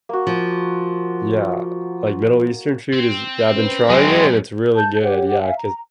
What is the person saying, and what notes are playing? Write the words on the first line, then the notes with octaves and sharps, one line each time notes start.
yeah, like, Middle Eastern food is yeah, I've been trying it and it's really good yeah, 'cause
A#3 F#4
F3
C4
C#4 B4 C5
F#2 F#3 G#3 C4
A5 G6
G4 C#5 F#5
E5 F5 G#5
A#5